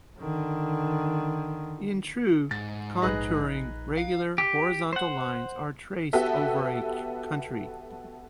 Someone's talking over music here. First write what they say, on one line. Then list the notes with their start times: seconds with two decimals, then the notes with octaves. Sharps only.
In true contouring regular horizontal lines are traced over a country.
0.20 D3 D#3
2.51 G#2 A6
3.02 A#1 D#4 G#4 B4 F#6 A#6
3.97 F5
4.38 G4
4.93 C5 F#5
6.13 B3 F#4 G4 A4 E5